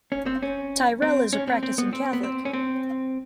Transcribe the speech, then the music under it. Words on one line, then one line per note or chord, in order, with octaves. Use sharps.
Tyrrell is a practicing Catholic.
C#4
C4
C#4
C4
C#4
C4
C4
B3
C4
B3
C4
C#4
C4